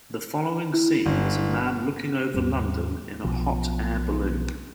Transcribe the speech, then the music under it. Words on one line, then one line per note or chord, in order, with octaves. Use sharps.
The following scene was a man looking over London in a hot air balloon.
E4
G1
D#2 G#2 G3
B1 B2 F3